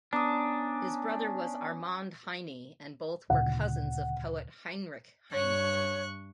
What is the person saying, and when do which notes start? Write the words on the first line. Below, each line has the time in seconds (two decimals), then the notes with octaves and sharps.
His brother was Armand Heine, and both were cousins of poet Heinrich Heine.
0.13 B3 C#4 D4 A#5 D6 D#6
3.30 D2 A#2 C#3 F#5
5.33 G2 C#5 C#6 F#6